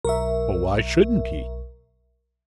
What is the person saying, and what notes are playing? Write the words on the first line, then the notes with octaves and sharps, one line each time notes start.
"Why shouldn't he?"
B1 A#4 E5 C#6